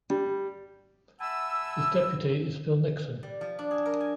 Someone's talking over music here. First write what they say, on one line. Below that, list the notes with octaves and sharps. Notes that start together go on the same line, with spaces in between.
His deputy is Phil Nixon.
G3
E5 F#5 G#5 A5 B5 E6
G3
F3
D4
G#4
A#4
G#5